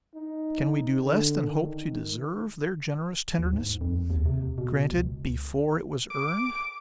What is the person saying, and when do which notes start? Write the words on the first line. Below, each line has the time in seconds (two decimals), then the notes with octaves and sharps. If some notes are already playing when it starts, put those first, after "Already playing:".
Can we do less than hope to deserve their generous tenderness, granted before it was earned?
0.15 D#4
1.03 D3
1.46 D#3
3.38 D#2
3.53 G#2
3.81 F2
4.10 D#2
4.26 C3
4.58 B2
4.92 C#2
6.10 D6